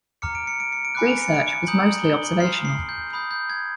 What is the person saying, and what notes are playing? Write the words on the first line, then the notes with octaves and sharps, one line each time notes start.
Research was mostly observational.
A#5 D6 F6 C#7
D7
C#7
D7
C#7
D7
G#5 B5 D6 F#6 C#7
D7
C#7
D7
C#7
A#5 D#6 G6 F#7
F#7
G7
F#7
C6 F6 C7
C7
G6
B5 D#6 G6
G6
G#6